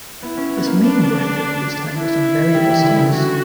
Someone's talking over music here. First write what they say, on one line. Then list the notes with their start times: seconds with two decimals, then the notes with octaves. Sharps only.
His main work during this time was on variable stars.
0.22 B3 E4
0.37 C#4
0.57 B3
0.66 A#3
0.80 B3 D4
1.97 E4
2.54 G3
2.70 E3
2.83 D3
2.98 C#3
3.13 F#4